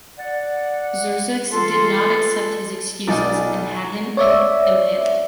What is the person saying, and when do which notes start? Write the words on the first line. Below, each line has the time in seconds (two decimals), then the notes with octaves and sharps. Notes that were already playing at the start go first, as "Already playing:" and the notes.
Xerxes did not accept his excuses and had him impaled.
0.18 D5 F#5
1.52 E3 F4 A4 C6
3.07 B1 D#4 F4 D5 G#5 A6
4.17 C#5 D5 E5